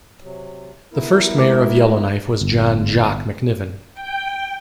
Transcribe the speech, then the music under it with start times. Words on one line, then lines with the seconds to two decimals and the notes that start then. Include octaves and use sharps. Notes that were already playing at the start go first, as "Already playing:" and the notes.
The first mayor of Yellowknife was John "Jock" McNiven.
0.22 C3 F#3
0.93 B3 E4 A#4
1.37 G#3 D6
2.41 G1
3.94 G5